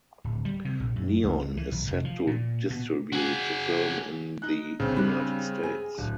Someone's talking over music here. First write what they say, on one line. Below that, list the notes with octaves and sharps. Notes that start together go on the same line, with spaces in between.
Neon is set to distribute the film in the United States.
D1
G3
C3
A#1
F#2
C#2
E3
B1
F1
F3
A#2
B2
F#4 G#4
D#4 F#6
G1 C#3 C4
G3 D4 B5 F#6
G#4 G#5
D1